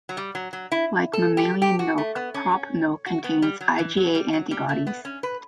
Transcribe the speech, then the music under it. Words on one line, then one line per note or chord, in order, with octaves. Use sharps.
Like mammalian milk, crop milk contains IgA antibodies.
F#3
G3
F#3
F#3
E4
A4
G4
G4
F#4
A3
B3
C#4
F#4
B3
G3
F#3
E3
F#3
G3
F#3
G3
A3
B3
C#4
B4